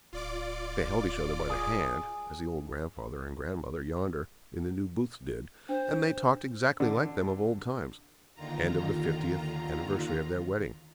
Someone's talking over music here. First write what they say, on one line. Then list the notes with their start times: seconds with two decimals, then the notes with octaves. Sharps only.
They held each other by the hand, as the old grand-father and grand-mother yonder in the New Booths did, and they talked exactly like them of old times, and of the fiftieth anniversary of their wedding.
0.13 D1 F4 D5 D6
1.49 G#4
5.69 D4 C5
6.80 D3
8.35 D#2 D3 D#3 F4 A#5